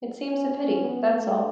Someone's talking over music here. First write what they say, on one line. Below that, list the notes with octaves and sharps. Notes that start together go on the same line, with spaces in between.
It seems a pity, that's all.'
C#4
C#4
B3
A3